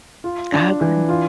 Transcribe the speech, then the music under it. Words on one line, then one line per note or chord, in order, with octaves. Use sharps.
I agree.
F4
D4
E3
F4